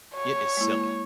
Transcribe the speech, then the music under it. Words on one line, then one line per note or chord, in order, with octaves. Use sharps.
It is silly.
C#5
G#3 A#3 E4